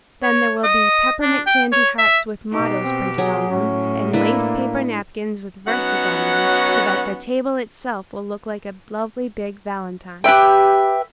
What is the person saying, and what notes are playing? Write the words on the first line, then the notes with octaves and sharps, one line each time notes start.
Then there will be peppermint candy hearts with mottoes printed on them, and lace-paper napkins with verses on them, so that the table itself will look like a lovely big valentine.
C#5
D#5
D4
G5
C#5
E5
B2 D#4 G4
C4
F#3 G#4
A2 C#4
A#3 D4 E4 B4
F#3 B3 C#4 D#4 F#4 F#5
G4 B4 E5 G5